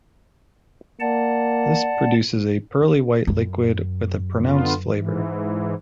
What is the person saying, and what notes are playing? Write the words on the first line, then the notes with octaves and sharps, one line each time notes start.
This produces a pearly-white liquid with a pronounced flavor.
A#3 D5 F#5 A5
F#2
D3 B3 F4
G#2 E3